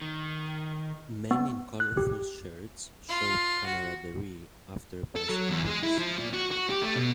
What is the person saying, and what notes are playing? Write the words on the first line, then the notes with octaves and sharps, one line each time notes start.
Men in colorful shirts show camaraderie after a bicycle race.
D#3
B3
F#6
G4
F4
F#4
A4
F#3
E2
G#3
E4
F3
A#2
F#4
F#4
G4
A3
B2